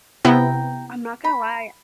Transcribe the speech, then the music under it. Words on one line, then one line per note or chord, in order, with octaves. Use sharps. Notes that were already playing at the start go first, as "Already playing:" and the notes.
I'm not gonna lie.
C3 B3 E4 G5 A#5
B5